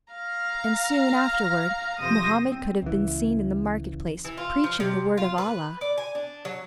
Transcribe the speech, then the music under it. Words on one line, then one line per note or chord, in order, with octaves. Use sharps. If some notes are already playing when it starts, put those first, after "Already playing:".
And soon afterward Mohammed could have been seen in the market place preaching the word of Allah.
F5 A#5 F6
F2 C3 C5 D#6 A#6
C4
C#2 E3
E3
F4
F3
C3
F4
B4
D5
G#5
D4
F#3